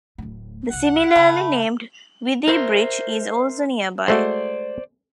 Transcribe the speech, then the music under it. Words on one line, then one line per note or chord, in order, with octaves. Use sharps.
The similarly named Withybridge is also nearby.
D1 A2
G1 C2 F#5
C#3 A3 B5
A#4 C5 E5
G#3 A3 F#4 C5 D5